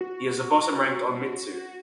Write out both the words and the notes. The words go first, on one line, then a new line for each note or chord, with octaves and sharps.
He is a bottom-ranked onmitsu.
F#4